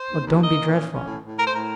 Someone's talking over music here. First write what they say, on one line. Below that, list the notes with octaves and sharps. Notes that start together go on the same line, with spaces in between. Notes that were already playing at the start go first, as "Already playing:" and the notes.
Oh, don't be dreadful!'
Already playing: C5
D#2
D#2
A#3 D#5
A#2
C#4
C#4
A2
A2
A3 A#4
C5
A2 A#4